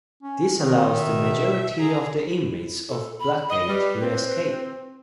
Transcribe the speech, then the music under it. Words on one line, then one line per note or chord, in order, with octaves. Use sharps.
This allows the majority of the inmates of Blackgate to escape.
C#4
D#3 C4
B2 E5
D3 G#4 A#5
E4
A4
B5
D#5
G3 B4
C4